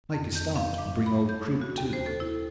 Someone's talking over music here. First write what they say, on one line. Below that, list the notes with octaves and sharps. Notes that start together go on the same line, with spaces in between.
Make a start, and bring old Crib too.'
F2
G6
F5
D6
B5
G6
F#4
D#2
C5
A4
E4